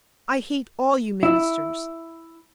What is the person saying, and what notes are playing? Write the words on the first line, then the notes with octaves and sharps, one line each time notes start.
I hate all you ministers.
E4